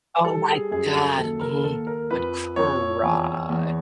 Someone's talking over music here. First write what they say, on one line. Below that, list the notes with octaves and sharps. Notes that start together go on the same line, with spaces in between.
Oh my god, ooh, I'd cry.
G3 A4
G#4
F#2 G#4
A4
D#2 A4
A#4
D#2 A4
A#4
F2 B4
F2 C#5
E2
E2